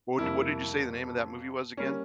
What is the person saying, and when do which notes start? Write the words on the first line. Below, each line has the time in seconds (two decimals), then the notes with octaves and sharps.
What d what did you say the name of that movie was, again?
0.19 F2 C3 G3 A#3 E4
1.77 G3 A#3 C#4